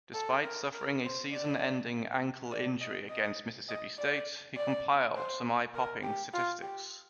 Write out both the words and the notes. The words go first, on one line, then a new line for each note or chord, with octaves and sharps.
Despite suffering a season-ending ankle injury against Mississippi State, he compiled some eye-popping statistics.
A4
A#4
A#4
C5
D5
D5
D#5
D#5
D#5
D5
D5
C5
A#4
G4
F4
G4